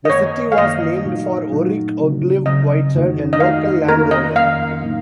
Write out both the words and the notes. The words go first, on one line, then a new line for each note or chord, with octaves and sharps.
The city was named for Oric Ogilvie Whited, a local landowner.
D#5
F#2 D#3 A#3 C#5
F5
F#2 D#3 A#3 D#5
A#2 F#3 A3 D#4 F#4
A#2 F#3 A3 D#4 F#4
C#3 F#3 C4
C#3 F#3 C4 D#5
F2 D#3 A3 D#4 F#4
D#5
F2 D#3 A3 D#4 F#4 F5
F2 D#3 A#3 C#4 A#4
D#5
F2 D#3 A#3 C#4 F5
A2 F#3 A#3 D#4